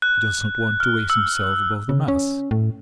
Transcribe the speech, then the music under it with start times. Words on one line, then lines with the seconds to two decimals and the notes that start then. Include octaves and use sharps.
He does not want to raise himself above the mass.
0.02 F#6
0.80 F6
1.10 E6
1.89 C#3
2.08 C#4
2.51 A2